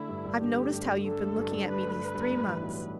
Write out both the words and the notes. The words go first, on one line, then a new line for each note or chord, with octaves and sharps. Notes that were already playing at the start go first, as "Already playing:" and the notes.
I've noticed how you've been looking at me these three months.
Already playing: D3 A3 E4
G2
G2
D3 G4
A3
G2
G2
D3 A4
A3
G2
G2
D3 B4
A3
G2
G2
A2
E3
B1